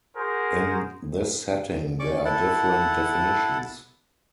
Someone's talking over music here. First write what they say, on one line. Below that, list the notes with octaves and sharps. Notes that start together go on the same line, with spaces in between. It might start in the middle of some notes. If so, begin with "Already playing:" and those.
In this setting there are different definitions.
F#4 G#4 A#4 C5
C#4 D5 C#6 D6
E4 A4 F#5 A5